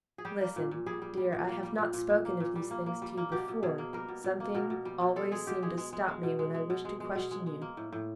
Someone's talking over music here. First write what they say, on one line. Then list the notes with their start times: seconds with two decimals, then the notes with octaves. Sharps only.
Listen, dear, I have not spoken of these things to you before; something always seemed to stop me when I wished to question you.
0.18 G#4
0.25 G3 G4
0.41 A#3
0.56 A#2
0.71 A#2
0.86 G3 G#4
1.02 G3
1.17 G3
1.32 A#2
1.49 A#3
1.63 G3
1.78 A#2
1.93 A#2
2.10 A#2
2.25 A#3
2.40 A#2
2.55 G3
2.71 A#3
2.86 A#3
3.02 G3
3.17 A#3
3.32 B2 G4
3.48 B2
3.63 B2 G#4
3.78 A#3
3.93 G3 A#4
4.08 B2
4.24 B2
4.40 A#3
4.55 B2 A#4
4.70 B2
4.85 G3
5.01 B2
5.16 G#3 A4
5.32 G#3 G#4
5.47 B2 G4
5.62 G#3 G#4
5.77 G#3
5.93 G#3
6.08 G#3
6.23 B2
6.39 G#3
6.54 G#3
6.70 B2
6.85 G#3
7.00 G#3
7.15 B2
7.31 G#3
7.47 G#3
7.62 A#3
7.77 A2
7.92 A2